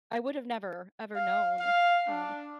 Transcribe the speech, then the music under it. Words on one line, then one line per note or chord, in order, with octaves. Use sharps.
I would have never ever known, um, ha
F5
F5
D4